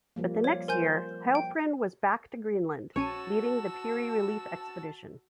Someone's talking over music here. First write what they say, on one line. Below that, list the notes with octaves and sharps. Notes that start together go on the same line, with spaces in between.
But the next year Heilprin was back to Greenland, leading the "Peary relief expedition".
F3 G3 A#3
C#5
A#4 C5 G#5 G6
G5
A#1 C#4 F#4 C#5 A5 E6 D#7